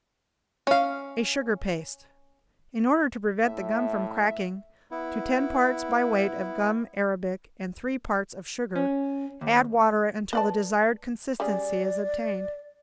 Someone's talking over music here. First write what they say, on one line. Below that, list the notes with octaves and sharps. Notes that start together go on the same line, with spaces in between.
A Sugar Paste.--In order to prevent the gum from cracking, to ten parts by weight of gum arabic and three parts of sugar add water until the desired consistency is obtained.
C#4 F5
A2 E5
B3 E4
C#4
D#2
B4 D5 A5
G3 C#4 G#4 D5